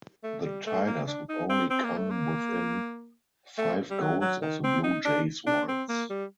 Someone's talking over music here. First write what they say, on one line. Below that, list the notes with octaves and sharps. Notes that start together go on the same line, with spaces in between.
The Tigers would only come within five goals of the Blue Jays once.
A3
G3
A3
A#3
D4
D#4
C4
C4
A#3
A3
A#3
A3
G3
F#3
F#3
D#3
C4
D#4
D4
D4
C4
A#3
G3